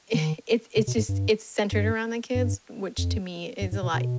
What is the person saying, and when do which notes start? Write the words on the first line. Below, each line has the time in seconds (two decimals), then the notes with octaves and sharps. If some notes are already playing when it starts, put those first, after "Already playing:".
i it's it's just it's centered around the kids, which to me is a lot
0.14 D#3
0.77 C3
0.87 B2
0.97 G#2
1.09 G2
1.72 G2
2.35 G2
2.98 F2
3.61 G2
3.72 G#2
3.83 B2
3.94 B2